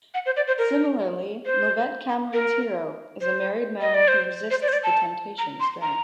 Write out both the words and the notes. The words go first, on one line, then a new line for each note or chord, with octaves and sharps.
Similarly, Lovett Cameron's hero is a married man who resists the temptation to stray.
F#5
C5
D5
C5
A#4
C5
A#4
C5
D#5
D5
C5
C5
D5
C5
D5
A5
A#5
C6
A#5